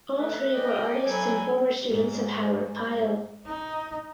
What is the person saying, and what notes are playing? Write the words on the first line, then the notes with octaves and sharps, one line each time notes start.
All three were artists and former students of Howard Pyle.
A3 B4
C#4 D5 D#5 G5
F#3 A4 G#5 B5
G#2
D#4